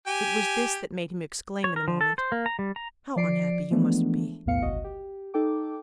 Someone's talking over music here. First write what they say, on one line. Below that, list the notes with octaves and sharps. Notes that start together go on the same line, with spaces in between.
It was this that made him exclaim in a moment: "How unhappy you must be!"
G4 G#5
C#5
A#4
F3
A4
C5
A#3
A#5
G3
A#5
F3 D5 C7 D7
E3 F3 G#3 A3 B3 D4
B1 E2 A2 B3 F5 C#7
G1 C#2 F#4 D#5
G4
D#4 A4 G5 D6